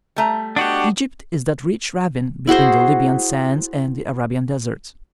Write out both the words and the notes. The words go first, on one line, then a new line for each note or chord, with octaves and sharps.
Egypt is that rich ravine between the Libyan sands and the Arabian desert.
G3 A3 A#5
B3 D4 F#4 G4 D#5 F#5
E4 F#4 G#4 C5